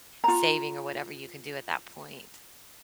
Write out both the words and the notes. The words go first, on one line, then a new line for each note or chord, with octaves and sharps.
saving or whatever you can do at that point.
F4 A#5